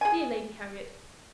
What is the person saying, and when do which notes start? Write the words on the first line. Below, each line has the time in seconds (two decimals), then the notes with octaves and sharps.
Dear Lady Harriet!
0.01 G#4 G#5